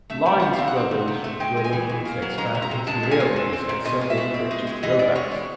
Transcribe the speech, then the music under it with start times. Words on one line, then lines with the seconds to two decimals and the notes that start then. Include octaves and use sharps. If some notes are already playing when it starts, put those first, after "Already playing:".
Lines Brothers were looking to expand into railways and so they purchased Rovex.
0.10 A3 E5
0.26 A3 G5
0.40 B2 F#5
0.54 C4 F5
0.68 F#5
0.76 C4
0.91 D#3
1.07 C3
1.24 A3
1.40 G#3 G5
1.57 G#3
1.64 G#5
1.73 E3
1.89 B2
2.05 A#3
2.22 F#3
2.38 G#3 A#5
2.55 C3
2.62 A#5
2.71 C3
2.87 G#3 A5
3.03 A#2
3.11 G#5
3.20 G#3
3.36 C4
3.53 C4
3.69 A#2
3.85 B2 D#5
4.01 G#3
4.10 E5
4.17 B2
4.34 C4
4.51 G#3
4.67 G#3
4.83 E3 D#5
4.99 A2 D5
5.15 G#3 C#5
5.31 E3